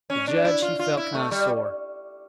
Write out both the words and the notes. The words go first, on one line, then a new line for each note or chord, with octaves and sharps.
The judge he felt kind of sore.
C#4
D4
E4
F4
F4
E4
A3
G3